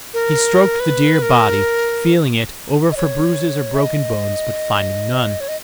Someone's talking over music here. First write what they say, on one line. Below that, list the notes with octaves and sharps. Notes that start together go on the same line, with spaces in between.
He stroked the dear body, feeling it over for bruises or broken bones, but finding none.
A#4
B4
A#4
D#5
C#5
E5
D#5
C#5
D#5